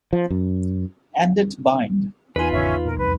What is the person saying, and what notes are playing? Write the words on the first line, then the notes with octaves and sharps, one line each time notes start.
Andet Bind.
F3
F#2
E2 D#4 F4 B4 G#5 C6
G#1 C#3 C#4 E5
A#2 A#4
C2 F2 G3 B4